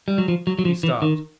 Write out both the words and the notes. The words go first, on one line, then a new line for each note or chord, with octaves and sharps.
He stopped.
G3
F#3
F3
F#3
F#3
F3
E3
D#3